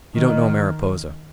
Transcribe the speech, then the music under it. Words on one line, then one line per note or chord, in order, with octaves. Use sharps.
You don't know Mariposa.
D#3